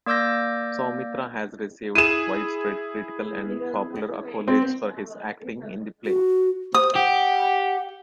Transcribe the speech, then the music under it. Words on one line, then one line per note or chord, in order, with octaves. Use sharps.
Soumitra has received widespread critical and popular accolades for his acting in the play.
A#3 D5 D6 E6 G6 A#6
E4 G#4 D#7 E7
C4
F#4
C5 D#6
G4 F#5